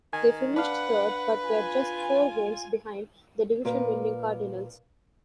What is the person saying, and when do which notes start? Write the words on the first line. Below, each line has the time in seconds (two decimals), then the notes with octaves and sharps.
They finished third, but were just four games behind the division-winning Cardinals.
0.13 D#3 G#5
0.56 D4 B4 F5 F#5
1.46 F4 G#5
3.65 A#2 A#4 B4